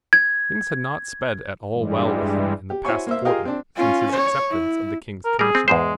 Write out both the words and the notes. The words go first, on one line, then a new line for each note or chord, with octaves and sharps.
Things had not sped at all well with him in the past fortnight since his acceptance of the King's commission.
G#6
G2 E3 G3 G#3
G4
E4 F#4 C5 C#5 G#5 C#6
A#3 C5 E5
F4 G4 G#4 A#4 D#5 F5
C4 D4
C#4 F4
C#5
E4
A#4
G3 G#4 A#4
C4
E2 G#2 G#3 C5